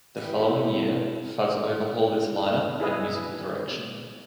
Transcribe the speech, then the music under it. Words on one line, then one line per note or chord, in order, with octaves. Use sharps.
The following year, Phuz overhauled its lineup and musical direction.
E3 G3 D#4 E4 G4
E4 G#4 B4 D#5